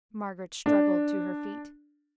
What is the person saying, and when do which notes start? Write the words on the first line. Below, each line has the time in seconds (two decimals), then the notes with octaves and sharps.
Margaret struggled to her feet.
0.66 D4